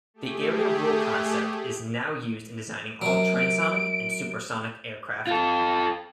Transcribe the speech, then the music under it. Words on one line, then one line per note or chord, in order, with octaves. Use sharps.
The area rule concept is now used in designing all transonic and supersonic aircraft.
A3 G4 G#4
F#2 F#3 D7
F4 A4